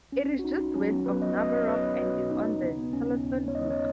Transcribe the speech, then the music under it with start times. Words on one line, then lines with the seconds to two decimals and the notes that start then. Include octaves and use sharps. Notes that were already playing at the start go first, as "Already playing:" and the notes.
It is just west of Narborough, and is on the Thurlaston Brook.
Already playing: B1
0.12 B1 C#4
0.39 F#4
0.44 B1 D#4
0.75 F#3 C#4
0.91 B3
1.06 F#3 B4
1.22 D#5
1.37 B1 D#5
1.53 C#5
1.68 F#3 B4
1.99 B2 F#4
2.30 D#2 D#4
2.62 C#3 B3
2.93 D#2 C#4
3.24 D#2
3.48 C#5
3.55 G#3 D#5
3.71 C#5